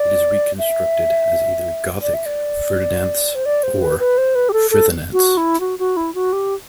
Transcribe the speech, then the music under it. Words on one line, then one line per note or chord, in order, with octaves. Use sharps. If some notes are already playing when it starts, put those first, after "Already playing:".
It is reconstructed as either Gothic "Ferdinanths" or "Frithunanths".
Already playing: D5
E5
D5
E5
D5
C5
D5
C5
B4
B4
C5
B4
G4
A4
A4
F#4
E4
F#4
F#4
E4
F#4
G4